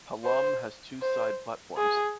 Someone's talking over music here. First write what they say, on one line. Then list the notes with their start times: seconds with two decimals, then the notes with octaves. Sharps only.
Hallam has two side platforms.
0.25 C5
1.01 C5
1.77 G#4